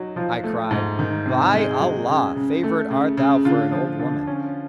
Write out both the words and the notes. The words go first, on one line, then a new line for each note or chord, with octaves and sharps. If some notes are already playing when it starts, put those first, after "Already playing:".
I cried, 'By Allah, favoured art thou for an old woman!
Already playing: F#3 D#4
F3 F4
A3
G#2
D#3
C3
G#3
F#3
C#3
C#3
A3
C#3
C#3
D3 F4
F3
D3
C#4